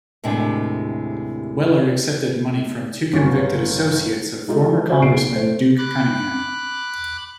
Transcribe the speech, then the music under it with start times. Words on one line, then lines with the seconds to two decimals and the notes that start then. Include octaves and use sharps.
Weller accepted money from two convicted associates of former congressman Duke Cunningham.
0.24 D#2 A2 C3 G#3 D4
3.13 G1 F#3 C#4 C#5
4.48 G#3 D#4 F4 G4 A4
4.89 F#4 C5 D5 E5
5.02 B1 G#4 C7 D7
5.35 A3 C5
5.78 B5 D6 F#6